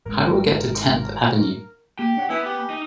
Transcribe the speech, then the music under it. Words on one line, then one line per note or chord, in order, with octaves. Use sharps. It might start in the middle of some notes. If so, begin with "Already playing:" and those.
How do I get to Tenth Avenue?
G#1 G#3 A#4
A#3 G4
D4 C#5 F#5
B3 E4 G#5
G4
D#4